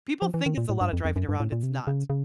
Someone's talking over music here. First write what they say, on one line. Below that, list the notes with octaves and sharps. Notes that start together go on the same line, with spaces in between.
People think it's a lotta driving around, it's not.
F3
E3
D#3
A#2
A2
G2
F2
F2
F#2
G2
A2
A#2
C3
C#3
C#3